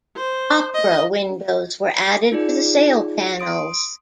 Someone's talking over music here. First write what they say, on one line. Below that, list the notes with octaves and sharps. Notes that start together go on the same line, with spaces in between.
"Opera" windows were added to the sail panels.
C5
D#5
D#4 F4 G#4 D5
C6 D#6 D7